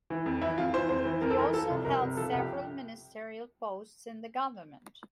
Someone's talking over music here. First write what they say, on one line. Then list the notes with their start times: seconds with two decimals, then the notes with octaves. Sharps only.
He also held several ministerial posts in the government.
0.10 E3
0.26 F2
0.41 E3 E4
0.58 F2 F4
0.73 E3 C5
0.89 F2 C5
1.05 E3
1.22 F2 A#4
1.30 A4
1.38 E3 A#4
1.53 F3 A4
1.70 C2
1.85 C2 A#4
2.01 C3
2.17 F3 A4
2.33 C2
2.39 G4